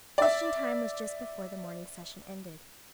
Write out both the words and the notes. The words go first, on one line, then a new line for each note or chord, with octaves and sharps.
"Question time" was just before the morning session ended.
D5 E5